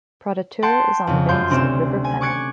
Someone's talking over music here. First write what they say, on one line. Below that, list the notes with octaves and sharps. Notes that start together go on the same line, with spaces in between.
Proddatur is on the banks of river Penna.
F#5 G5 A5 C6 G6
F2 C#3
F#2 F4 C6 G6
D2 C3 C4 C#4 E7
G#5
C#6 D6 F#6 G#6 C#7